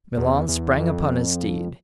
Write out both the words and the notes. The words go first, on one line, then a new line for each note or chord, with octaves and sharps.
Milon sprang upon his steed.
E2
E2
F2